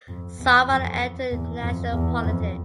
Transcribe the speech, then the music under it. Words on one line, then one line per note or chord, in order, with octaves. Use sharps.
Zafar and entered national politics.
F2
E2
F2
E2
F2
E2
F2